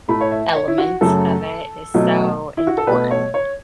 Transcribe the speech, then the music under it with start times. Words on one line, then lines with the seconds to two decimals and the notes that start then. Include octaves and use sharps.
element of it is so important,
0.08 A2 A3 B5
0.21 C#5
0.31 E5
0.55 C#5
0.68 E4
0.78 F#4
1.01 F#2 C#3 F#3 A3 A4
1.94 B2 F#3 A3
2.57 E4
2.67 F#4
2.77 A4
2.87 B2 A3 B4
3.11 C#5
3.34 C#5